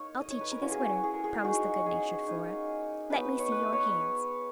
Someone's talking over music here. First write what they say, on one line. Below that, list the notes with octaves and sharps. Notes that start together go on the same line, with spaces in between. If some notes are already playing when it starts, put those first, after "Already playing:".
I'll teach you this winter," promised the good-natured Flora; "let me see your hands.
Already playing: A#3 D#4 C#5
D#5
C#5
B4
A#4
A#3 C#4 E4 F#4
G#4
F#4
G#4
A#4
G#4
A#4
G#3 D#4 F#4
G#4
A#3 D#4
F#3 B3 D#4 B4
B4
C#5
B4
B4
C#5